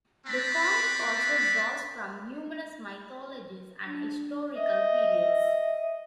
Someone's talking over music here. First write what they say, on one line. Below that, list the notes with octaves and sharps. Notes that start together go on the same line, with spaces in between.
The comic also draws from numerous mythologies and historical periods.
B3 C4 D4 A5 B5
D4
D#5 E5